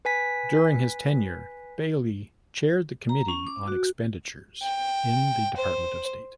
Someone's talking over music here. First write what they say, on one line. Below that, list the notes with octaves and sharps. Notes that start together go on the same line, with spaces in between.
During his tenure Bailey chaired the Committee on Expenditures in the Department of State.
B4 G#5 B6
A#5
C#4
D6
F#4
G5
C5